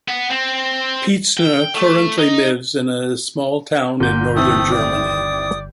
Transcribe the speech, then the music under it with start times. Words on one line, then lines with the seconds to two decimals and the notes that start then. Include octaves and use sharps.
Pietzner currently lives in a small town in northern Germany.
0.08 B3
0.30 C4
1.37 G5
1.75 A3
2.19 D#4
4.00 G1 A#2 F#4 G6
4.36 D#2 E3 A3 C4 D#6
4.72 D5